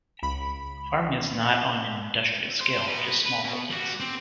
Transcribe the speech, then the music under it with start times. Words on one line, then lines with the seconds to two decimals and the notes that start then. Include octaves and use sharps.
Farming is not on an industrial scale, just small holdings.
0.23 C#2 B5
2.60 C5
2.87 F#4 B4
3.25 B4
3.44 B2
3.70 G3 F#4
4.00 C4